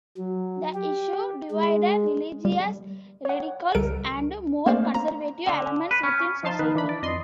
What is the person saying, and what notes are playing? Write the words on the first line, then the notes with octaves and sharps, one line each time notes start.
The issue divided religious radicals and more conservative elements within society.
F#3
G4
G#3
G3
C#5 F#5
C#2 G3 A4 A#4 D7
A3 A#3 C#4 C5 D5 F5
A#5
D3
B4
C#4
F3 D#4 F5 A5 C6
D#3 D#4 B4
E3 D4 B5
D5
F2 D#5 C6